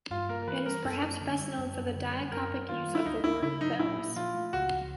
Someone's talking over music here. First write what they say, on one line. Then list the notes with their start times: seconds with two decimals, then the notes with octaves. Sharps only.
It is perhaps best known for the diacopic use of the word bells.
0.10 G2 F4
0.29 A#3 A#4
0.42 A#4
0.48 E3 B4
0.66 G3 A#4
0.85 F#2 A4
1.03 A#3
1.21 D3
1.40 G3
1.58 F#2
1.76 F#2
1.95 D3
2.13 G3
2.32 F#2 A#4
2.50 F#2
2.69 D#3 F4
2.87 G3
2.95 E4
3.05 D2 D#4
3.24 D2 E4
3.42 C#3 E4
3.61 F#3 D#4
3.79 A#2 E4
3.98 A#2
4.16 F3 F4
4.35 A3
4.53 C#2 F#4
4.71 C#2